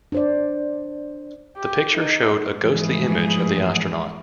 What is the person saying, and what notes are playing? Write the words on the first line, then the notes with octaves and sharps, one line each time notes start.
The picture showed a ghostly image of the astronaut.
D4 C5 D5
G4
D#4
G#2 E3 F3 A3 B3 G#4